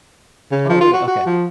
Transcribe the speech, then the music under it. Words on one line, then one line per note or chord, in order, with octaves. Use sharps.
Oh, really? Okay.
C#3
F3
F4
F#4
F#4
F3